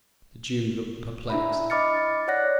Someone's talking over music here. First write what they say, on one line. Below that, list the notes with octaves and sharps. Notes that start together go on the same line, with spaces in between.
The Jew looked perplexed.
D4 E4 E5 B5
D#5 B5 D6 F6 A6 C#7
C#5 D5 F#5 F#6 A#6